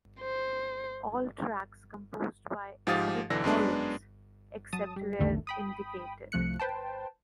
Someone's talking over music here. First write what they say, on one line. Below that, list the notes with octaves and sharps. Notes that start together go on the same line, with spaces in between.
All tracks composed by Edwyn Collins, except where indicated.
C5
G#2 F3 G4 F5 D#6 A6
B1 D3 E3 D4 E6 A#6
F#2 G#3 B3 D4
F#3 A5 D#6
G3
A#1 E2 D3 D#3 A3
G5 B5 D#6
C2 F3 A3 F#6 C#7
B4 C5 G5 A5